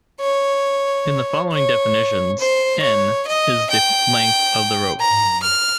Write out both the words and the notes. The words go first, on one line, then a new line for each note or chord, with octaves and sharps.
In the following definitions, "N" is the length of the rope.
C#5
C#5
C5
C#5
D#5
G5
A#5
F6